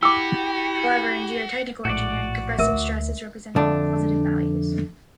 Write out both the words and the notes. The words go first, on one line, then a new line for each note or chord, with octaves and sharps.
However, in geotechnical engineering, compressive stress is represented with positive values.
E4 F#4 G4 D6 E6
A#1 A2 F#4 D5
D2 A#4 E5
F2 D3 A3 D4